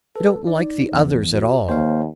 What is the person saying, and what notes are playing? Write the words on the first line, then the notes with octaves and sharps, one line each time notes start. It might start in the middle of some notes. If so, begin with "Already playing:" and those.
I don't like the others at all.
A4 B4
D#4 D5
A#1 E2 E3
F#4
D#2 A#3 C5 C#5 F5